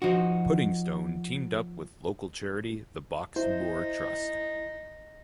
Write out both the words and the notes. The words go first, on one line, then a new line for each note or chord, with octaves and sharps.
Puddingstone teamed up with local charity the Box Moor Trust.
F3 D#4 F#4
D#4 E4 C5